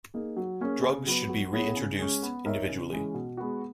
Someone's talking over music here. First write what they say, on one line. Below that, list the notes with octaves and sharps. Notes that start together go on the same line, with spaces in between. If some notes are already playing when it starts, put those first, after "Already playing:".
Drugs should be re-introduced individually.
A#3 D#4 G#4
F#3
A#3 C#4 G#4 C#5
C#3
F#3 B3 F#4 B4
F#3
B3 E4 G#4 C#5
C#3
G#3 C#4
B3
D#4 A#4 C#5 E5
C#3
E3 G#3 C#4
B2
G#3 B3 F#4